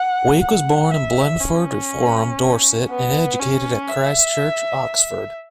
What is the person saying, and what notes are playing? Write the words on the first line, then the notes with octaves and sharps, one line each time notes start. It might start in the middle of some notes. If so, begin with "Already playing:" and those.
Wake was born in Blandford Forum, Dorset, and educated at Christ Church, Oxford.
Already playing: F#5
F#5
E5
C#4
B3
C#4
E5